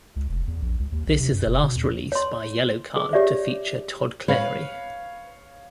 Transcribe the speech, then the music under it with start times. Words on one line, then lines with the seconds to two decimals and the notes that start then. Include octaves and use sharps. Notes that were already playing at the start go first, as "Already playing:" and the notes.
This is the last release by Yellowcard to feature Todd Clary.
0.16 C#2
0.29 F1
0.47 E2
0.62 A#1
0.79 C#2
0.92 D#2
1.07 B1
1.19 C3
1.34 F#2
1.46 F1
1.63 B2
1.76 E2
2.12 C#5 C6
2.96 G#4
3.13 G4 C#5 D5 E5
4.28 B4 C#5 F5